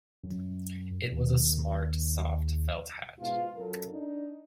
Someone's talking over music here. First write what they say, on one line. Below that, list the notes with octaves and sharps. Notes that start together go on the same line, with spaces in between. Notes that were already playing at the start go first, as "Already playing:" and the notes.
It was a smart soft felt hat.
F#2
D#2
G#2 B2 F4
F#2 A4 A#4
D4 D#4